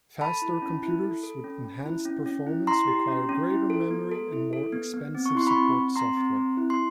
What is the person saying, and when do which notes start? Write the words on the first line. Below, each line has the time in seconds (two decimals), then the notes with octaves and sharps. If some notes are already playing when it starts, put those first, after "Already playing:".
Faster computers with enhanced performance require greater memory and more expensive support software.
0.20 A4 A5 B5
0.42 E4
0.62 C#4
0.83 E4
1.03 A4
1.23 A4
1.44 C#4
1.65 C#4
1.85 E4
2.05 C#4
2.26 C#4
2.47 E4
2.67 E4 A#5 C6
2.88 G4
3.08 C#4
3.29 C#4
3.50 E4
3.70 A4
3.91 B3
4.12 A4
4.32 E4
4.53 A4
4.72 B3
4.93 B3
5.15 C4
5.26 C#6
5.35 E4 C6
5.47 B5 C#6
5.55 C4
5.75 C4
5.96 C4 A#5 C6
6.17 C4
6.37 C4
6.57 E4
6.70 C6